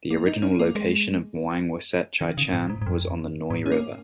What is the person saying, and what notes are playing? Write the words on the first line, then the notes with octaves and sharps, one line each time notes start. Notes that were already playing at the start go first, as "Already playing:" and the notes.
The original location of Muang Wiset Chai Chan was on the Noi River.
A#3
D#4
C#4
A#3
G#3
D#3
C#3
G#2
G#2
G#2
F2
G#2
C#4
A#3